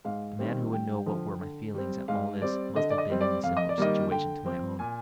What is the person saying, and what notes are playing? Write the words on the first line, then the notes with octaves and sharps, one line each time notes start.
The man who would know what were my feelings at all this must have been in a similar situation to my own.
G#2 F5
D#3 G3 C4
G2 G5
D3 F3
D3
G3 C4
G#2 F5
G3 C4 D5
D3 D#5
D5
D#5
G3 C4
D5
F2 F5
D#5
D5
D#3 G3 A#3 D#5
D3 G5
F3 C4
A#2 G#5